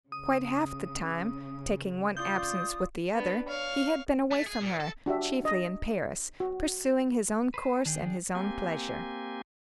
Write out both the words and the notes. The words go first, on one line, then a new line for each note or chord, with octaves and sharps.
Quite half the time--taking one absence with the other--he had been away from her, chiefly in Paris, pursuing his own course and his own pleasure.
C#3 D#6
F4 D5 D#6 G6
B3 D4
C#5 F5
A3
G#4
A#2
A4
D4 F#4 G4 E5
D4 D#5
F#4
B4 C5 A#5
D#3 D4 G#4 G5
A#3 C4 G4 G#5